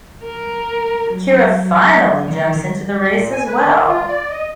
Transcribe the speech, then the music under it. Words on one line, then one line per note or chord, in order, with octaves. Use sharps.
Keira finally jumps into the race as well.
A#4
F#3
D#3
A#2
G#5
B4
D#3
F4
D5
D#5